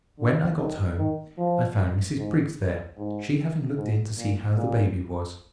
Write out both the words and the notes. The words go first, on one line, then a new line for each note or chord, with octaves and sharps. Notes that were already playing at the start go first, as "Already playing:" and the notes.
When I got home I found Mrs. Briggs there, she having looked in to see how the baby was.
D3
D#3
D#3
F3
G#2
G#2
G#2
A#2
A#2